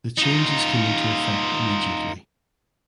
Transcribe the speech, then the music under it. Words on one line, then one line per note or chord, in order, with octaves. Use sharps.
The changes came into effect immediately.
D#4 F4